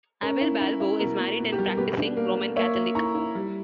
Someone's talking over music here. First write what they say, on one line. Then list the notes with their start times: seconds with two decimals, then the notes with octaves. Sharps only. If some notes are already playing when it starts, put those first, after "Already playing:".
Abel Balbo is married and a practising Roman Catholic.
0.22 C#4 A#4
0.41 E4
0.61 E4
0.80 E4
0.99 B2 A#4
1.19 B2
1.39 B2
1.52 G4
1.58 G3
1.66 A#4
1.78 B2 G4 B4
1.98 D4
2.17 A#3
2.37 A#3
2.56 A#3 C#5 E5
2.76 A#3
2.95 E4 A#5 C#6
3.15 E4
3.35 G3